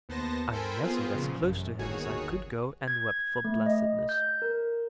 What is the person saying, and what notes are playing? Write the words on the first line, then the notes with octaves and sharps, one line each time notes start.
I nestled as close to him as I could go, and wept for blessedness.
D#2 B3 C5 A5 A#6
A4 A#4 C5 G5 G#5 B5
B3 C4 F4 G#4 C5
A#2 C#3 F3 F#3
A1 F#2
G1 D#2 D#3 F#4 G#4 C#5
G#6
A3
D#5
G6
A#4